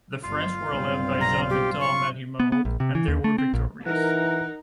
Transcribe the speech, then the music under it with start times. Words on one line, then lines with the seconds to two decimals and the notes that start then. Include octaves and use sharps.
The French were led by Jean Victor Marie Moreau, and they were victorious.
0.23 G1 F4 F5
0.69 B1 G2 C4
1.21 A#5
1.50 G4
1.80 C#6
2.40 B3
2.52 B3
2.65 A#1
2.80 C3
2.95 E3
3.08 D#2
3.24 A3
3.38 C4
3.54 A#1
3.86 E3 D#4 A#4 F#5